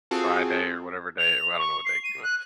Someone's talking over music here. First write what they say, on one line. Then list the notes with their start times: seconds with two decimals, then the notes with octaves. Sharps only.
Friday or whatever day I don't know what day it came out.
0.11 C4 F4 F#4 G#4 A4
1.18 F7
1.59 C#6
1.85 C7
2.04 D#7
2.23 F#6